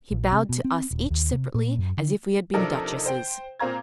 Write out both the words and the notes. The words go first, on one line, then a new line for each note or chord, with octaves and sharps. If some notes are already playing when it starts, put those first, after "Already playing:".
He bowed to us each separately as if we had been duchesses.
A#1
C3
B2
C4
D#1
D#2
C3
A#2
F#2
D3
C3 F3 D4 D#4 A4 A#4
C5 G5
A#2 C4 F5 A#5 G#6